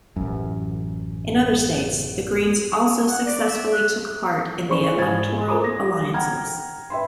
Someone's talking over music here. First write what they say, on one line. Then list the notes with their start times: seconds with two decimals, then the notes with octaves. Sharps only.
In other states, the Greens also successfully took part in the electoral alliances.
0.16 A1 F#2
3.07 F#5
3.25 D5
3.44 E5
3.72 F#6
4.68 C#4 G#4 C5 D5 C#6
4.97 G#2 E4 C5 G#5 G#6 A6
5.48 F4 A#4 C5 A#5 D6
5.64 A#6
6.14 F#5 G5 A#5 F6 G#6
6.90 B4 E5 G5 B5 C6